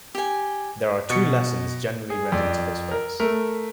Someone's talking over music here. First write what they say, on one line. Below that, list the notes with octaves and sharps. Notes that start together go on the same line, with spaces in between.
There are two lessons generally read into this verse.
G4 G#5
B2 C#6 C#7
G#4
F2 D5
A#4
A3 A#4